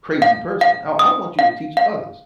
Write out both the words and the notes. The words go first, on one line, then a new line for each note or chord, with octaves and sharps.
crazy person. I I want you to teach others
F5
F5
D#6
F5
F5